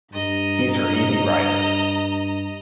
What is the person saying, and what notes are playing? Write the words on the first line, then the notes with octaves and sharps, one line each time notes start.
He's her easy rider.
G2 D#5 A#5